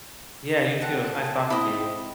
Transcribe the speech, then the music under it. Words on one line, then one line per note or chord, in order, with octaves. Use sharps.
Yeah, you too. It was nice talking to you.
C4 F#5 A5
E4 D#5